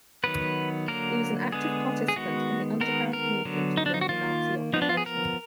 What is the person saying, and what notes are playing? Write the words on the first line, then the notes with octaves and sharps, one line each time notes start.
He was an active participant in the Underground Movement during the Nazi occupation.
D#3 F#3 B3 B4
D3 F#3 A#3 A#4
D3 G#3 B3 G#4
G#4
D#3 G#3 B3 F#4
D#3 G#3 B3 A#4
A#4
D3 F#3 B3
D#4
D4
D#4
F#4
D#3 A#3 F4
F3 B3 D#4
D4
F4
G#4
A#4